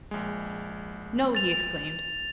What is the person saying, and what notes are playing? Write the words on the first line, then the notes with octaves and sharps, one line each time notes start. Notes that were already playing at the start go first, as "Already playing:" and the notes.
"No!" he exclaimed.
A#1 G#3
A6 F7